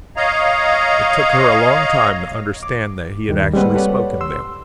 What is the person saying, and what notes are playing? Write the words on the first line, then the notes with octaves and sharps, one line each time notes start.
It took her a long time to understand that he had actually spoken them.
C#5 D#5 F5 A#5
D6
D#2 D#3 G3
G3 G#3 A#3 C4 B4 F#5
G4 A4 B4 C#5 D5 F#5
C6 E6